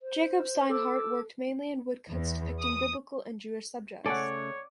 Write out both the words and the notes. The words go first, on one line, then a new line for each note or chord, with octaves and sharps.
Jacob Steinhardt worked mainly in woodcuts depicting biblical and Jewish subjects.
C5
A4 A5 D6 E6
E2
D#6
C#3 A3 A4 C#5 D5 F#5 G#5